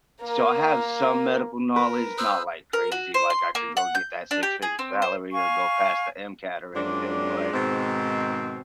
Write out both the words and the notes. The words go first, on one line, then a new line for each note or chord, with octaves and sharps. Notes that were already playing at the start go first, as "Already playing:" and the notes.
so, I have some medical knowledge not like crazy, like, I could go get that six-figure salary or go past the MCAT or anything, but
A#3 A#4
A#4 B4
C5 D#6 E6 F#6
A#4
F#4
C5
C6
A#3
F#5
G6
D4
G4
G#4
C4
C5
F5 G#5 C#6
F#2 G#3 C4 D4 F4 D5
G#2 B2 D#3 G#3 C4